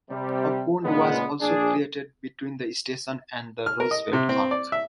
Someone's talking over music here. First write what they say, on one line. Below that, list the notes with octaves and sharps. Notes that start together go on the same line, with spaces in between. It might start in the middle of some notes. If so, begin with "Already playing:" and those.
A pond was also created between the station and the Roosevelt Arch.
C3 G3
A#2 C#3 G#3 B3
A#1 D4 G#4
F6
A#4
D#5
C3
C4
D5
E5